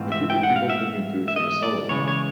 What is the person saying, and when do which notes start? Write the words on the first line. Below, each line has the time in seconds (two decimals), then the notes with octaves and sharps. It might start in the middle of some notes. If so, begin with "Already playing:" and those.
A group of people taking food from a salad bar.
Already playing: G#2 E3 A3 C4 F4
0.12 E5
0.30 G5
0.43 F#5
0.56 F5
0.70 E5
1.28 E5
1.36 D#5
1.63 D5
1.89 C#3 E3 G#3 C#5
2.08 C#5